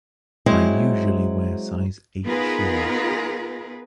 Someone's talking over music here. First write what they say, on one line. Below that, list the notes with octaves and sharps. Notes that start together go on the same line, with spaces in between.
I usually wear size eight shoes.
F#3 G#3 C4 E4
B3 D#4 F4 G#4 A#4 B4